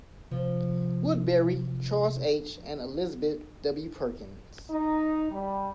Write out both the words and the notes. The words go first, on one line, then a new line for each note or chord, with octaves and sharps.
Woodbury, Charles H. and Elizabeth W. Perkins.
C3 F3
D#4
G3